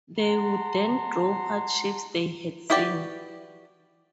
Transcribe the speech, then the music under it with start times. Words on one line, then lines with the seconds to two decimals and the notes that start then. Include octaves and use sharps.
They would then draw what shapes they had seen.
0.18 F#5 A5 A#5 C6
2.70 E4 F#4 G4 B4 D5